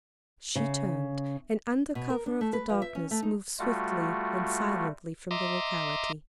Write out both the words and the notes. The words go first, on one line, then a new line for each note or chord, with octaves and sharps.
She turned, and, under cover of the darkness, moved swiftly and silently from the locality.
C#3
B2
A#4
D4
A3
B4
F3
E5
C#4
A3
D#4
G3 A3 F4 F#4
D#5 E5 A#5 C6 D6